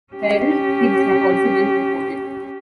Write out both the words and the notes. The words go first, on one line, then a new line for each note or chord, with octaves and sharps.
Feral pigs have also been reported.
C#4 G4